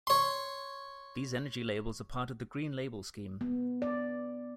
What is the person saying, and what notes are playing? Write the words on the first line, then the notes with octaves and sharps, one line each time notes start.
These energy labels are part of the Green Label Scheme.
C#5 C6
B3
D5